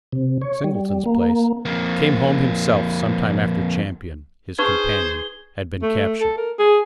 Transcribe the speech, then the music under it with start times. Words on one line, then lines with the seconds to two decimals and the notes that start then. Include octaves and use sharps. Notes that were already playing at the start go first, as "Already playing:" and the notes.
Singleton's place, came home himself sometime after Champion, his companion, had been captured.
0.12 C3
0.42 C#5
0.64 G3
1.06 A#3
1.65 F2 A#3
4.59 D#4 G#4 B4 C5 C#6 G#6 G7
5.82 A3
6.20 A4
6.37 A#4
6.59 G#4